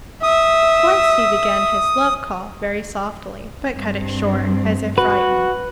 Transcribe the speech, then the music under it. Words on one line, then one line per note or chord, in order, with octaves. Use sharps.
Twice he began his love call very softly, but cut it short, as if frightened.
E5 D#6
G2 C4
F#4 B4